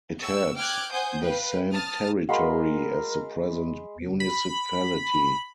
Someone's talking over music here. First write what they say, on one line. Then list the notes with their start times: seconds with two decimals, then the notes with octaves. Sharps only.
It had the same territory as the present municipality.
0.19 C#6 E6
0.56 G5 D6 F6 F#6 G#6
0.91 C5 F#5 G#5 D#6 G6
1.22 B4 F5 G5
1.73 A5 D#6 F6 A6
2.29 G#3 F#4 A#4 F5 F#5 B5 C6
4.20 B5